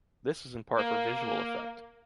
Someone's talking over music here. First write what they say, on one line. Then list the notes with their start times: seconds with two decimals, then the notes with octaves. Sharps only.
This is in part for visual effect.
0.76 A#3